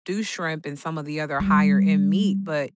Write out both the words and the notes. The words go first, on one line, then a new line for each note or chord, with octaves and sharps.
do shrimp, and some of the other higher end meat, but
G3